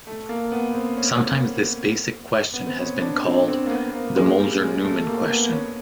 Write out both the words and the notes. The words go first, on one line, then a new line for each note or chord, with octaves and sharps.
Sometimes this basic question has been called "the Moser-Neumann question".
A3
A#3
B3
C4
C#4
B3
C4
C#4
D4
C4
C4
A#3
B3
A#3
G#3
G3
G#3
A3
A#3
B3
C#4